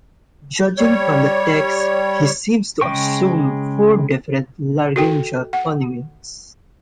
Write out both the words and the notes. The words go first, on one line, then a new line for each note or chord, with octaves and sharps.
Judging from the text, he seems to assume four different laryngeal phonemes.
G3 C#5
C#3 G#3 G5 C#6
F#4 A4 G5
F#5